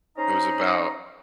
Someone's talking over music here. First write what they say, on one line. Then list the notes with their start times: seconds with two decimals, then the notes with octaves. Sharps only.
It was about
0.17 C#4 D#4 C5 D#5 A#5